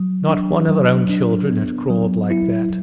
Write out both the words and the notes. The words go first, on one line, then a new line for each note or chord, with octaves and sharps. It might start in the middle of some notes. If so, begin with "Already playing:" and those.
Not one of her own children had crawled like that.
Already playing: F#3
D4
F#3
D4
B3
F#3
E4